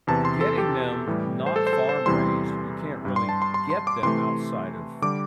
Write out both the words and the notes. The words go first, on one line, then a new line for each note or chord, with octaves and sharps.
getting them not farm-raised, you can't really get them outside of
E2 C3 E3 A5
C6
A4
G4
A2 E3 G3
C5
A4
C5
A4
C5
E2 C3 E3 G3 C6
G2 G3
C6
A5
C6
C6
C6
D6
C3 E3 A3 C6
D3 G3 D6